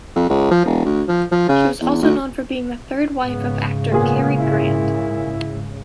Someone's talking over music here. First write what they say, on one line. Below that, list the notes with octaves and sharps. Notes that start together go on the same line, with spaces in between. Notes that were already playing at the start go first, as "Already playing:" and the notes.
She was also known for being the third wife of actor Cary Grant.
F2
C#2
F3
E1
D2
F3
F3
C#3
E2
D2
G#2 C#3 B3
A#2 A#3 B3 G#4
E4